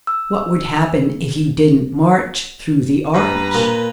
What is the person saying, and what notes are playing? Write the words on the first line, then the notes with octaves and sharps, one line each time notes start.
"What would happen if you didn't march through the Arch?"
E6
G2 B4 A#5
A#2